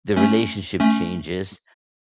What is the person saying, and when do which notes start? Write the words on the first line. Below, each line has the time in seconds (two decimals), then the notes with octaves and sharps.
the relationship changes
0.16 A3 C#4
0.80 A3 C#4